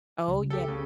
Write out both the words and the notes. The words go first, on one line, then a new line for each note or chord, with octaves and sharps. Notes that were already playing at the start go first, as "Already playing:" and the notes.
Oh, ye
C#2
G4 A4
C#3